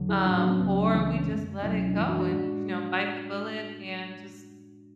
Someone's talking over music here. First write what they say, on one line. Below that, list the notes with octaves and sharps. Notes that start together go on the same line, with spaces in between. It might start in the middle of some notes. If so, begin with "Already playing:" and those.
um, or we just let it go and, you know, bite the bullet and just
Already playing: E2 D3 F#3
E4 G#4
A2 F#3 D4 F#4
D4 F#4
B3
C#4
C#2 C#3 F#3 B3
C#4
B3 D4
C#2 C#3 E3 G#3 C#4 E4
B3 D4
C#4
F#2 D3 G#3
C#2 B2 F#3 C#4 E4
D4
F#2 E3 G#3 C#4 E4
D4 F#4
D4 F#4
A2 G#3 D4 F#4